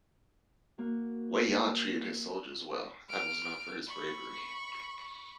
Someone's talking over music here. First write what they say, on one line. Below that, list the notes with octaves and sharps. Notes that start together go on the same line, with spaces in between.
Wei Yan treated his soldiers well and was known for his bravery.
A#3 F#4
F6 D7
B5 C#6